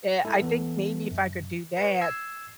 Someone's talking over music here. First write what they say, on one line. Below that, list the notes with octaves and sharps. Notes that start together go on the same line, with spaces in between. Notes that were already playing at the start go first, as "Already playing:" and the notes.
Eh, I think maybe if I could do that,
G#3 E4 A4
E3 B3 A4
F#2
B4 C#5
E6 G#6 C7